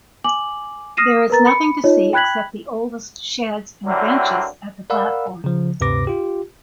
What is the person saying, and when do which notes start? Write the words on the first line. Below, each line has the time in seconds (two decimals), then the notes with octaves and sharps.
There is nothing to see except the oldest sheds and benches at the platform.
0.24 G#5 D6 F#7
0.97 D#6 F6 A#6 C7 D#7 E7
1.30 A#4 B4 A#5 A6
1.46 B5 C#7
1.84 D#4 F4 C#5 D#5
2.13 G5 B5 F#6 G#6 B6 F#7
3.86 D3 F#3 G3 A#3 C4 E4
4.90 A#4 D5 F5 F#5 B5 E6
5.44 C#3 F3
5.81 D2 G2 C3 B4 D6 A#6
6.07 F4 G4